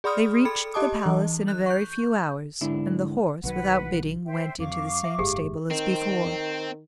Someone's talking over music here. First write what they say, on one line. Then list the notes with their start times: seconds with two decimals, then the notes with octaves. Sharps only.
They reached the palace in a very few hours, and the horse, without bidding, went into the same stable as before.
0.04 G#4 D5 B5 C6 D#6 F6
0.45 A4 B5 C#7
0.74 G4 D#5 A5 D6 D#6
1.06 E3
1.48 F#6
1.66 C#6 G6
2.61 G#2 D3 D4 E4
3.44 B1 D#3 F#3 B4 F#5
4.26 C5 E5 G5
4.59 F2 F5 C#6 D6
5.04 E5
5.19 F#1 G#2 G4 G#4
5.71 D#3 C4